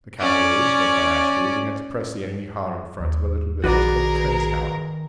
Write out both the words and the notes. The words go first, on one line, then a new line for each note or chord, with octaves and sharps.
The cavalry led by Ashby began to press the enemy hard in front of a little village called Kernstown.
C#4 D5
D#2
A#1 D#3 F#4 G#4 A#4 B4 D5